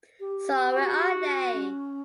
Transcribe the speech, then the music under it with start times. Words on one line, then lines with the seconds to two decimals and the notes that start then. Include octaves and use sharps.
So Where Are They?
0.20 G4
0.75 F#4
1.54 C#4